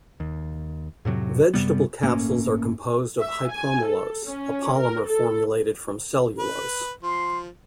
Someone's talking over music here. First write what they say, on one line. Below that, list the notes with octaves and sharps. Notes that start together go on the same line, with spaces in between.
Vegetable capsules are composed of hypromellose, a polymer formulated from cellulose.
D#2
F2 A2 C3 F#3
F#2 C3 G3 B3
G1 A2 A#3 C#4
E5
G#5
A4
C#4
A#4
A4
B4
F3 C6